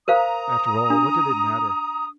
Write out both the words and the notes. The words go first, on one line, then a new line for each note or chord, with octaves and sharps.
After all, what did it matter?
A#4 C5 F5 A#5 D#6
D4